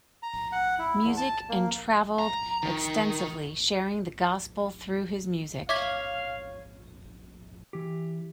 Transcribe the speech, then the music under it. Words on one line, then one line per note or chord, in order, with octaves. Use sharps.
Music and traveled extensively sharing the Gospel through his music.
A#5
F#5
E4
E2
A5
A#3
A#5
D#3
C#5 E5 F5 D6 G#6 B6
E3 G4